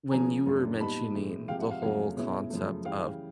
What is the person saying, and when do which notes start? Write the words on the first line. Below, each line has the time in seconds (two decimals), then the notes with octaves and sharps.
when you were mentioning the whole concept of,
0.11 C#3 F3 A#3 C#4 G#5 A#5
0.46 F#2 C#3 F#3 A3 D4
0.80 A#2 G3 B3 D#4 A5 B5
1.14 A2 E3 G#3
1.48 C3 F3 G#3 F5 G5
1.59 E5 F#5
1.71 F5
1.82 F2 C#3 F#3 A3 F5
2.17 B2 G#3 C#4 E4
2.50 F#2 C#3 F3 A3
2.85 C#3 E3 G3 F5 G5